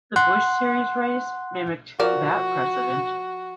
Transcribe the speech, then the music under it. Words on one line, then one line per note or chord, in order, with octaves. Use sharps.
The Busch Series race mimicked that precedent.
F#5 C6 F#6
F3 F#4 A#4 D5